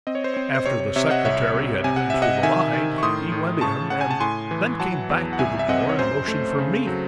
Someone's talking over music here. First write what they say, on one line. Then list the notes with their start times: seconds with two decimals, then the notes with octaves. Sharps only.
After the secretary had been through the line, he went in, and then came back to the door and motioned for me.
0.07 C4 D#5
0.15 C#5
0.24 C5
0.34 C4 C#5
0.55 C5
0.66 C3 C#5
0.80 C#5
0.96 C3 C#5 E5
1.10 D#5 F#5
1.25 C2 C#5 E5
1.54 C3
1.84 C3 G#5
1.96 F#5
2.10 C3 E5
2.22 D#5 F#5
2.43 D#3 E5 G#5
2.73 D#3
2.98 C#6
3.03 A2 C6 D#6
3.32 A2
3.61 C#3 A5 C#6
3.90 C#3 F#5
4.01 G#5
4.11 A5
4.20 A2 G#5 C6
4.51 E3
4.80 F#3 F#5 A5
5.10 E2
5.33 F#5
5.39 C2 E5 G#5
5.59 E5
5.69 C4 D#5 F#5
5.89 C#5
5.99 F#2 C5
6.28 A3
6.58 C#3
6.87 F#3